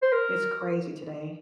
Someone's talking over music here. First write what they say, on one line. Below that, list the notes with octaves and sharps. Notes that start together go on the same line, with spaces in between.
It's crazy today.
C5
A#4